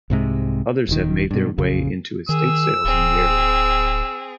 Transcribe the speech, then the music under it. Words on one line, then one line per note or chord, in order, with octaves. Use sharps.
Others have made their way into estate sales in the area.
C2 G#2 C3 G#3
D#1 D#3
G2 B2
A#1 F2 C#3
D#3 G#4 E6
D1 C4 G#4